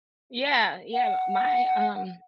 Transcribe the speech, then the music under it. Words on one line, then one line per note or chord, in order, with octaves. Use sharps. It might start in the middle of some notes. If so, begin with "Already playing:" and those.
Yeah, yeah, my, um
F#5